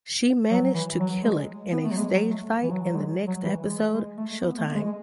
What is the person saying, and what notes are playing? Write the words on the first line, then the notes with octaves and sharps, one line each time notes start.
She managed to kill it in a staged fight in the next episode "Showtime".
F#3
E3
F#3
G#3
B3
A3
F#3
G#3
F#3
A3
E3
F#3
F#3
G#3
F#3
E3
G#3
G#3
A3
B3
A3
G#3
G#3